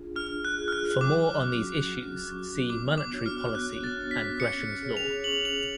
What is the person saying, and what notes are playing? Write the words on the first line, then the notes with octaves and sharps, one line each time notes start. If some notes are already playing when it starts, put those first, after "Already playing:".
For more on these issues, see Monetary policy and Gresham's Law.
Already playing: D4 F4 G#4
D4 F6
F#6
F4 G#4
F6
F#6
F#3 D6
C#4 F#4
F#3
C#4 F#4
B3 D6
D6
D4 F#4 C#5
F6
B3 F#6
A6
D4 F#4 C#5
B6
C#4 C#7
G#4 C#5
F7
C#4 F#7
F7